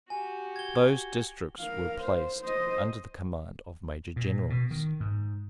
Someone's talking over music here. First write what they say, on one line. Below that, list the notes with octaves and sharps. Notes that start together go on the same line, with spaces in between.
Those districts were placed under the command of Major Generals.
F#4 G4 G#5
G#6 G7
A#4 F5
C5
C5 D#5
A#2
B2
D#3
G#2